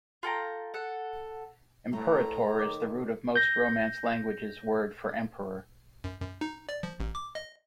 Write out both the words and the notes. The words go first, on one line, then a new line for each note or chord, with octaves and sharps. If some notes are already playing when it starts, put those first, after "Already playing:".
"Imperator" is the root of most Romance languages' word for emperor.
F4 A4 G5 A#5
A4 F#5
A2 A3 A#5
D#3 C#5 D6
G6 A#6
F#2
F#2
D#4
D5
F3
A1
D6
D#5